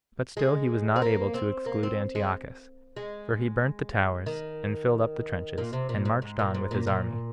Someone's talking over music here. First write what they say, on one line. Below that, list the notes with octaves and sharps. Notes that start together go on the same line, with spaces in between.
But still he was not able to exclude Antiochus, for he burnt the towers, and filled up the trenches, and marched on with his army.
G#3
C4
A#3
C4
A#3
C4
G#3
G#3
D#3
A#2
C3
A#2
G#2
G#2
A#2
G#2
A#2
A#2